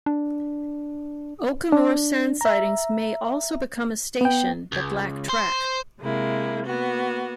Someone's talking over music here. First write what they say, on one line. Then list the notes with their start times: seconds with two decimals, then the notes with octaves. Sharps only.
Oakamoor sand sidings may also become a station, but lack track.
0.06 D4
1.72 D4
2.41 E5 A#5
4.21 B3 G5
4.72 C#2
5.29 C5
5.99 C3 G#3 A#3 E4
6.65 A#3 B3 F#4